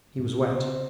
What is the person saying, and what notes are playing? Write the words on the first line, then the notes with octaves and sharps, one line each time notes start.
He was wet.
G#2
A#2
C3
C#3 C4